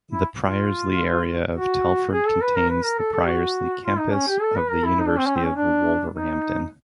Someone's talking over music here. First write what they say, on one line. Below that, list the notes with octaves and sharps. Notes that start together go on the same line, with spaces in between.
The Priorslee area of Telford contains the Priorslee Campus of the University of Wolverhampton.
E4
F4
F#4
G#4
A4
B4
A#4
B4
A#4
A4
A4
F#4
F4
D#4
C#4
G4
A4
B4
A#4
E4
D#4
D4
C4
C#4
C4
C#4
D4
D#4